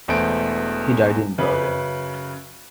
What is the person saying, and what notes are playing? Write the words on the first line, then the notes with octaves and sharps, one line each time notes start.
He died in Berlin.
E1 E2 A3 C5 D7
F#2 C#3 B4